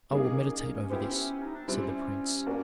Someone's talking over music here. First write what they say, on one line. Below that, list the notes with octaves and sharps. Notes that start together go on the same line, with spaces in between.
"I will meditate over this," said the prince.
G3 A#3 C#4 D#4 G#4
B3 E4 G4 C5
D#4
D4
G3 C4 C#4 E4
A#3 D4 F#4 A#4